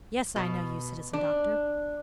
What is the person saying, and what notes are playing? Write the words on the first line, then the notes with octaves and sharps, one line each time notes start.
"Yes, I know you, Citizen Doctor."
B2
D4